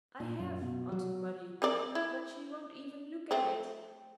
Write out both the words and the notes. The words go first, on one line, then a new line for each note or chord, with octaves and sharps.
"I have," answered Marie, "but she won't even look at it."
A#2
F#2
B2
F#3
C4 A#4 D5
E4
A3 C4